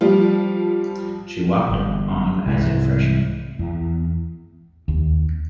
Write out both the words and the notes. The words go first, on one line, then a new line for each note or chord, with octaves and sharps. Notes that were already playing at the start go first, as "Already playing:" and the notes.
She walked on as a freshman.
F3 G3 F4
G1
C2 G#2 E3 G#3
E2
D#2